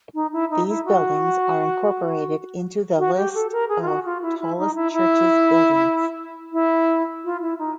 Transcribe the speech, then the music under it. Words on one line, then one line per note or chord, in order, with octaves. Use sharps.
These buildings are incorporated into the list of tallest churches buildings.
D#4
E4
D#4
E4
F#4
F#4
G4
A4
A#4
G#4
F4
F#4
F4
E4
E4
D#4
E4
E4
E4
F4
E4
D#4